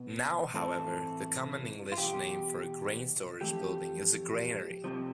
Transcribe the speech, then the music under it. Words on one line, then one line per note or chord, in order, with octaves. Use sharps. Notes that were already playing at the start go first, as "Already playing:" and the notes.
Now, however, the common English name for a grain storage building is granary.
Already playing: B2 B3
A2 E3 A3 C4 A4
F4
E2 B2 G4
F2 E3 A3 G4
F2 C3 F3